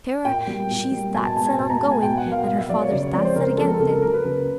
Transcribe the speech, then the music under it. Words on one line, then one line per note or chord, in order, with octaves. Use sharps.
Clara, she's that set on goin', an' her father's that set against it.
A#2 G5
G3 A#3
A#2
G3 A#3
B2 G#5
A5
G#3 B3 A5
G#5
B2 A5
A#5
G#3 B3 A5
G#5
B2 G5
F#5
F#3 A#3
F5
B2 F5
E5
F#3 A#3 D5
C#5
C#3 D5
C#5
F3 G#3 C4 D5
C5
C#3 A#4
A#4
F3 G#3 C4 A4
A#4
C#3 A4
A#4
F#3 A#3 A#4
B4
C#3